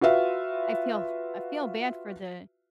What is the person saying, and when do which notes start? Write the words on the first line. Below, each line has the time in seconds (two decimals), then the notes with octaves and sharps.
I feel I feel bad for the
0.01 F4 F#4 B4 E5 F5